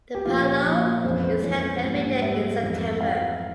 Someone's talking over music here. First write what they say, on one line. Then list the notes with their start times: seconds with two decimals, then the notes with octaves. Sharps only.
The Palio is held every year in September.
0.15 G4
0.25 A#2 F3 A#3 F4
0.45 C#5
0.65 A#2 F3 A#3
1.04 F2 E3 G#3 C#4 C5
1.24 C5
1.43 F2 E3 G#3 C#4 C#5
1.83 G#2 G3 A#3
2.22 G#2 G3 A#3 E5
2.62 F2 E3 G#3 C4
3.01 F2 E3 G#3 C4 F5